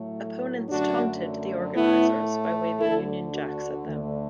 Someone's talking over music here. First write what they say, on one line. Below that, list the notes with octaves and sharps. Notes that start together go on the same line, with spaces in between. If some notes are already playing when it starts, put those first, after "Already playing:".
Opponents taunted the organisers by waving Union Jacks at them.
Already playing: A2 F#3 A3
F#2 D3 F#3 A3 D4 F#4
A2 A3 B3 E4
D2 D3 A3 E4 A4
D4 F#4
D2 D3 A3